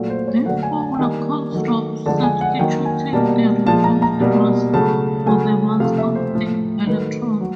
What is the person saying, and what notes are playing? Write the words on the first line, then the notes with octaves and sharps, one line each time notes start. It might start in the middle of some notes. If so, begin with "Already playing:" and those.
This formula comes from substituting the reduced mass for the mass of the electron.
Already playing: A#2 F#3 A3
C5
C#5
D3 F#3 A3 F#5
G#5
A5
G5
D#3 G3 A#3 G#5
D#3 F#3 A3
D3 F3 G#3 A5
G#5
F#5
D#3 F#3 A#3 G5
G#5
B2 G3 A#3 A5
A#2 F3 G#3 A5
A#5
A#5
B2 G3 A#3
C#3 F#3 A3 A5
C#3 F#3 A3 G#5
C3 F3 A3 F5
E5
C5
A2 F3 A3
D#3 F#3 A3 B4
F#3